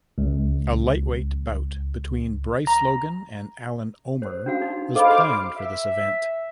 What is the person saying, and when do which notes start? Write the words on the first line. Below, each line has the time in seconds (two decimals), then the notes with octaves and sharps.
A lightweight bout between Bryce Logan and Alan Omer was planned for this event.
0.18 C#2
2.67 A#5
4.22 C5
4.46 D4 F#4 F5
4.62 D#4
4.95 A4 C5 D#5 F5 B5 D6
5.57 E5